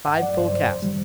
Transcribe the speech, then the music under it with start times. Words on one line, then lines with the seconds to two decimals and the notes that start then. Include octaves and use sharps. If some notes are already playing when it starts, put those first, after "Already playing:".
"Five full casks?"
0.07 G2 F#5
0.22 F#3 D5
0.37 G2 C5
0.53 F#3
0.68 F#2
0.82 D#3 G3